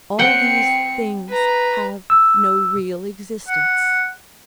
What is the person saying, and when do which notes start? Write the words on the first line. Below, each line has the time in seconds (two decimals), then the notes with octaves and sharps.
All these things have no real existence.
0.19 C4 F#5 G5 C#7
1.29 B4 A#5
2.10 E6
3.48 F#5